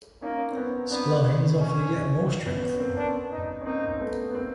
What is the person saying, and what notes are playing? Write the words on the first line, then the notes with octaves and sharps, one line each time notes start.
Splines offer yet more strength.
A#3 C#4 D#4
C4
B3 C#4
B3 C4 D4
C#4
B3 C#4
B3 C#4
A#3 C4
B3 C#4 D4
D#4
C#4
A#3 C4 D#4
A3 B3
B3
A#3 C4